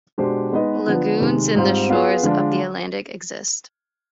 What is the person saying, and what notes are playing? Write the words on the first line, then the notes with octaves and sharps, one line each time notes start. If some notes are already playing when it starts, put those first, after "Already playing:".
Lagoons in the shores of the Atlantic exist.
B2 G#3 D4 G4 C5
G#3 B3 D#4 B4 D#5
D3 F3 B3 D4
C3 D#3 G#3
G#2 G3 C4 F4
B3 F4 G#4 B4
D3 F3 G#3 D4 F4